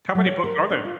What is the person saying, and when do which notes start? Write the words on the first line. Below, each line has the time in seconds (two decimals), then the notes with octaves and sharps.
How many books are there?
0.15 F#3
0.26 C#5
0.44 A#4
0.70 D4
0.85 F4